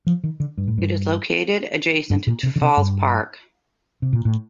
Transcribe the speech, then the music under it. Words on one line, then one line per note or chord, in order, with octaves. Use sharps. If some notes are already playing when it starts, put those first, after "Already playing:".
It is located adjacent to Falls Park.
F3
D#3
D3
G2
A2
G2
G2
A#2
C3
D3
C3
G2
C3
A#2
A2